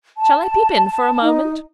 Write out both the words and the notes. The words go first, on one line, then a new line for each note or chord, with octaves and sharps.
"Shall I peep in for a moment?"
A5
D#4